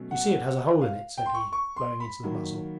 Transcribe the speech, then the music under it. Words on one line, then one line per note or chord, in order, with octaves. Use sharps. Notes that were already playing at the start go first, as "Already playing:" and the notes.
You see it has a hole in it,' said he, blowing into the muzzle.
Already playing: B2 F#3 A3 C#4
F#5
F5
G5
C6
C#6
C#6
C6
B5
D#3 F#3 A#3